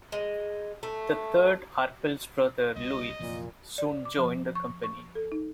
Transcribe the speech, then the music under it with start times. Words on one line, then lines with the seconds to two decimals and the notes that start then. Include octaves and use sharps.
The third Arpels brother, Louis, soon joined the company.
0.12 G#3
0.83 A3
2.76 C2 D#5
3.20 F1 F2 A#2 E3
3.78 D5
4.05 D6
4.17 F3
4.55 C#6
4.84 C#6
5.15 A4
5.32 D#4